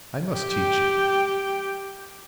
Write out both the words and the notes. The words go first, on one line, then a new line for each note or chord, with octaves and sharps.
I must teach you.
G4 G5